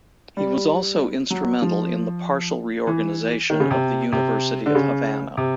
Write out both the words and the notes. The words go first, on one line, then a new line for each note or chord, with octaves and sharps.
He was also instrumental in the partial reorganization of the University of Havana.
G3
F#3
F3
E3
D#3
C#3
C3
C3
D3
C#3
C3